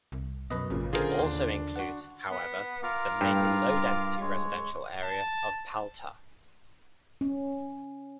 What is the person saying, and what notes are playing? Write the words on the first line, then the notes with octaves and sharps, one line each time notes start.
It also includes, however, the mainly low-density residential area of Paltta.
C2
F#2 B2 B4 D#5
G#1 A#2 C#3
D3 F4 G#4 A#4 C5
D#2 D4 C6
F#4 F#5
B3
F4 A#4 A#5 D6
G2
G#3 C#5
A5
C#4